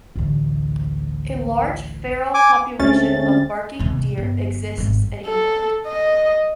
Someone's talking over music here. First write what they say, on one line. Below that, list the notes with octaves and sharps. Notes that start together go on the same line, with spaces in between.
A large feral population of barking deer exists in England.
A1 D2
G#5 D6
D2 G#3 A3 C4 C#4 A6
D#2 C3
A1
G1
G#1 G2
A4
D#5